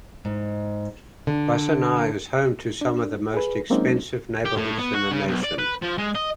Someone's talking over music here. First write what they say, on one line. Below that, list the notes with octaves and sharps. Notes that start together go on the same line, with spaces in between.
Wassenaar is home to some of the most expensive neighbourhoods in the nation.
G#2
D3
D4
G#4 B4
F#3 G#3 A#3 C4 C#4 D#4
G4
A2
B3
F#4
C#3
B1
D5
B4
F3
G#3
D#5